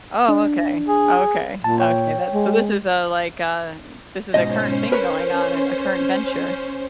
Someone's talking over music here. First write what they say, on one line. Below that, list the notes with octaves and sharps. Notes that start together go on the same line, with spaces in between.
Oh, okay, okay, okay, that so this is a like a this is a current thing going on, a a current venture.
D4
G#4
A#2 A5
C#5 G5
G#3
G#2 B2 C#4 C5 D#5
A#4 B4 C#5